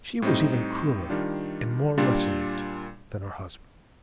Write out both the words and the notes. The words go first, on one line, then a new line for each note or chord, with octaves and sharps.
She was even crueler and more resolute than her husband.
A2 G3 C4 D#4
D#3 G3 D4 F4
A#2 G3 D4 F4